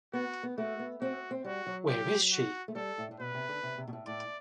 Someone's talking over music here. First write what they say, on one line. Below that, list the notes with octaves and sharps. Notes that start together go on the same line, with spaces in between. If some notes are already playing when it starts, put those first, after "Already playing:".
Where is she?
B3 F#4
B3
A3 F#4
B3
C4 F#4
C4
G3 F#4
F#3
G4
F#4
A3
G3 A4
A2
A2
B2 B4
C3
D3
C3
C3
B2
A2
A2 D5